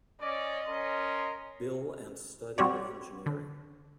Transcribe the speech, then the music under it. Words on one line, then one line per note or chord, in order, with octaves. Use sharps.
Bill and studied engineering.
C#4 D5 D#5
C#4 A#4 C6
G3 C4 F#4 G4 C#5 D5
D3